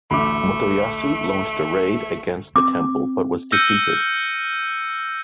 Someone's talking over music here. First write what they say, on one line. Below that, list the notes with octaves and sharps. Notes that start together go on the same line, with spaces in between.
Motoyasu launched a raid against the temple but was defeated.
A1 D2 A3 B5 D6
C4 D6
E6 F6 G6 A#6 C#7 D#7